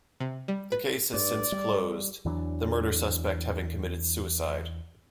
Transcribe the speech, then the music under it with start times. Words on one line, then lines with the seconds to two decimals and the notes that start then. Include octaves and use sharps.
The case has since closed, the murder suspect having committed suicide.
0.20 C3
0.48 G3
0.72 B4
1.14 G2 D5
1.52 G3
2.25 E2 E3 F#3 D4